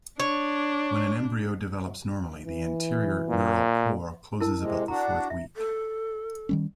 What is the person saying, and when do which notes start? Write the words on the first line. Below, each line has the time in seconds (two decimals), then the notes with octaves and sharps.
When an embryo develops normally, the anterior neural pore closes about the fourth week.
0.20 D4 C#5
2.45 E3
3.29 A#2
4.40 E4 A#4 A5
4.58 C3 G#3
4.88 D4 F#4 A#5
5.30 E5
5.55 A4
6.49 D#3 G3 C#4